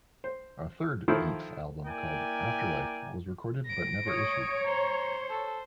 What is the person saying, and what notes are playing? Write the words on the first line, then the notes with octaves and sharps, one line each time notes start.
A third Aints album called "Afterlife" was recorded but never issued.
C5
D#3 F3 E4 F4 A4 C5
A#3 E4 A#4 D5 G5 G#5
A#6 D7
C#5 D#6
C5 A#5
A4